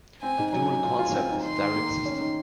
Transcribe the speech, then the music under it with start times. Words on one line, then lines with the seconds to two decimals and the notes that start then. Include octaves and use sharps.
The dual concept is a direct system.
0.22 C4 G#5
0.38 G#2
0.53 F#3 G#5
0.68 G#2
0.83 F4
0.99 F4
1.14 C4
1.29 G#2
1.45 D#3 C6
1.59 D#3
1.75 A#3
1.91 D#3
2.05 C#4
2.21 D#3